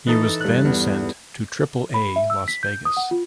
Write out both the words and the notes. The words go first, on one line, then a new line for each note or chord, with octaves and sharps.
He was then sent to triple-A Las Vegas.
E3 D#4 A4 A5 D#6
G2 F#6
E2
B5
E5
E6
B6
G6
D#6
F#5
F4